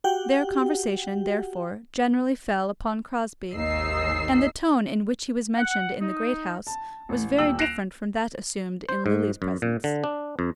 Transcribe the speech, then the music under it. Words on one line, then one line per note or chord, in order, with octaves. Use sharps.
Their conversation, therefore, generally fell upon Crosbie, and the tone in which he was mentioned in the Great House was very different from that assumed in Lily's presence.
F#4 G4 F#5 G5
G#1 D#2 D#4 E6 C7
F#5
D#4
A5
A1
D#1 G5 E6 F#7
F#6 A#6 C7 D7 E7 F7
C5
G#2
F#2
A#2
D3
D4
F2